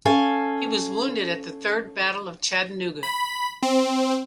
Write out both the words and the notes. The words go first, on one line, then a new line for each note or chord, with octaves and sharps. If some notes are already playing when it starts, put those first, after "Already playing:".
He was wounded at the Third Battle of Chattanooga.
C#4 A4 F5 G#5
B5
C4